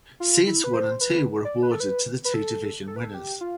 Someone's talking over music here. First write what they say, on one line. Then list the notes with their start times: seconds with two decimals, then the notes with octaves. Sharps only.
Seeds one and two were awarded to the two division winners.
0.20 F4
0.47 E4
0.64 B4
0.73 C5
1.01 B4
1.45 D5
1.63 B4
1.71 A4
1.80 B4
2.25 B4
2.34 A4
2.87 A4
2.96 B4
3.04 A4
3.14 G4
3.41 F4